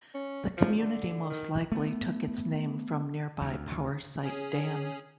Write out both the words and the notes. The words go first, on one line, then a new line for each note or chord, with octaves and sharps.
The community most likely took its name from nearby Powersite Dam.
C#4
F3
D3
D#3
A3 B3
D2
C#4 G#4